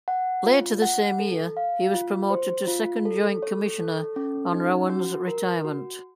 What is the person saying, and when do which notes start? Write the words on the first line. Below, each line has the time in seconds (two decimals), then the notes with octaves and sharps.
Later the same year, he was promoted to Second Joint Commissioner on Rowan's retirement.
0.08 F#5
0.46 F4
0.82 F#5
1.20 A4
1.57 F5
1.94 F4
2.30 C5
2.67 F4
3.05 A4
3.42 C#5
3.80 A4
4.16 C#4
4.53 D#4
4.90 F#4
5.27 A#4
5.65 F#4